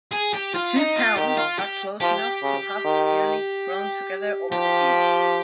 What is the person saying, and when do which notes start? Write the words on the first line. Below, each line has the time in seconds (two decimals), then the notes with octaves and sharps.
The two towns are close enough to have nearly grown together over the years.
0.12 G#4
0.34 G4
0.55 F4
0.76 D#4
0.96 F4
1.17 D#3 G4
1.38 F4
1.59 G4
2.01 F3 G4
2.43 C#3
2.85 D#3
4.52 F3 G4